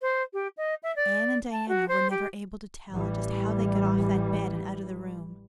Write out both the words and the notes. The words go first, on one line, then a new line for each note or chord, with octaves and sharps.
Anne and Diana were never able to tell just how they got off that bed and out of the room.
C5
G4
D#5
E5
D5
A5
F#4
C5
G4
A1 E3 G3